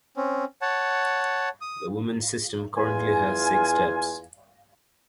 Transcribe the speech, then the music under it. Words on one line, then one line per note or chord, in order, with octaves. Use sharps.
The women's system currently has six steps.
C4 C#4
C#5 F#5 A5
D#6
E2 F4 G#5